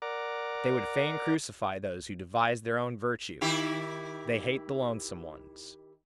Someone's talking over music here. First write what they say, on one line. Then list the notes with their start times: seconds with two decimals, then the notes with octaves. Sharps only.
They would fain crucify those who devise their own virtue--they hate the lonesome ones.
0.02 A#4 D5 F#5 A#5 D6
3.41 D#3 E4 G4